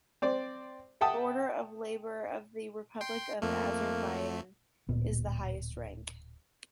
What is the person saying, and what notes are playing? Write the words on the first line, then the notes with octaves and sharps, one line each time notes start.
The Order of Labor of the Republic of Azerbaijan is the highest rank.
C4 D5
E5 F#5 G5 A5 D#6
G5 C6
F2 A3 A#3
D1 A#2 B3